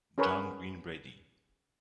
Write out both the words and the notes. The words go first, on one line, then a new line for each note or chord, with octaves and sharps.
John Green Brady.
C#4 G#4 A#4 B4 C#5